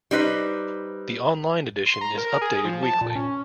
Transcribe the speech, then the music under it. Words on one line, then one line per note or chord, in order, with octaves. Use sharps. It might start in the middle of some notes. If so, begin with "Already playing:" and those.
The online edition is updated weekly.
G3 D#4 B4 C5
C6
A#5
A#4
G#4
F3
A5
A#2
C#4